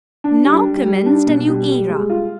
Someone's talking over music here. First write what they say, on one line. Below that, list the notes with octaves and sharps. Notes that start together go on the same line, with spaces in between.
Now commenced a new era.
D4
G3
G3
G3
D4
B2
G3
G3
G#3
F4